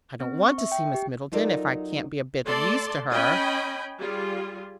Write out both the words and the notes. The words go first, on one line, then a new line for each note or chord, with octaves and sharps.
"I don't want to see Miss Middleton, if I can't be a bit of use to her."
C4
C#6
E5
G5
G4
F#3 D#4 F4 A4 A#4 D5
A3 A4 D5 A5 C6
C#4 D#5 G5 G#5 B5
G3 F4 G#4